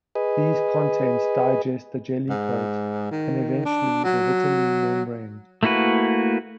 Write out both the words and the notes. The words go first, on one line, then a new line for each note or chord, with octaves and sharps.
These contents digest the jelly coat and eventually the vitelline membrane.
G#4 B4 D#5
G#2
D#3
D4
F#3
A3 A#3 E4 F#4 B4